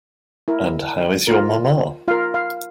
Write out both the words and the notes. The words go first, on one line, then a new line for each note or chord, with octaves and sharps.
And how is your mama?
E4 A#4
F4 A#4
F4 A#4 F5
F5